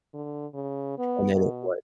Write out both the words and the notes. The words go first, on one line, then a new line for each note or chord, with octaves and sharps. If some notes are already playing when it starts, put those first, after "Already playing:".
and then it was
D3
C#3
B3
B2